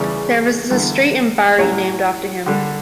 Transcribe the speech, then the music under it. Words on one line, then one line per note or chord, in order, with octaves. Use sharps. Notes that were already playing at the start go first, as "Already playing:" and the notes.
There is a street in Barrie named after him.
Already playing: E2 C#3 E3 G3 D5
E2 D3 G3
A2 F#3 C#4 C#5
D3 G3 D4